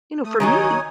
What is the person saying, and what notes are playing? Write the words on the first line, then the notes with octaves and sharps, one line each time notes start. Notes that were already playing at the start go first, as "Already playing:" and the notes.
You know, for me,
A3 D#6
D#3 F#3 D#4 C#5 G#5 D#6